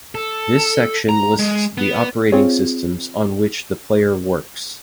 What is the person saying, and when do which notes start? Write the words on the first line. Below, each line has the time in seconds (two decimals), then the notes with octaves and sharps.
This section lists the operating systems on which the player works.
0.15 A4
1.09 A#5
1.39 G#3
1.78 B3
2.32 C4 F4 G#4 C#5